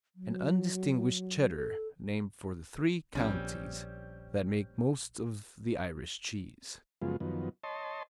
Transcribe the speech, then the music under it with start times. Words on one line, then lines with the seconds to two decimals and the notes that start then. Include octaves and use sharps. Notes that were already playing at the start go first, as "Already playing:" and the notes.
An undistinguished Cheddar named for the three counties that make most of the Irish cheese.
0.16 F#3
1.54 A4
3.15 A#1 G3 C4 C#4
7.02 F#2 C#3 F3 G#3 B3 F4
7.20 F#2 D#3 F3 B3
7.64 C#5 D#5 A5 C6